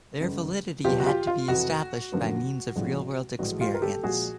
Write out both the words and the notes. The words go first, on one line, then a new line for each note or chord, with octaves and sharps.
Their validity had to be established by means of real-world experience.
G1 F#2 C#3
E2 B2 F#3 F4 G4
F#4
F4 G4
F4
F2 C3 E3 F#4
F#2 D3 F3 A#3
A#1 A2 F3 G#3 C#4
A#1 A2 E3 G#3 F#4
F4 G4
A#4
G4 A4
A#1 A#2 F3 G#3 F#4 G#4